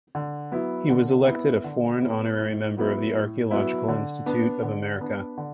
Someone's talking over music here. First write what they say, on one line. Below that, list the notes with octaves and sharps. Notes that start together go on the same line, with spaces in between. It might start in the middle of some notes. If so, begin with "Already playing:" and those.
He was elected a Foreign Honorary Member of the Archaeological Institute of America.
D3
F#3 B3 E4
D3
B3 E4
D3
B3 E4
A2
F#3 B3 E4
A2
F#3 B3 E4
D3
B3 D4
D3
B3 D4
D3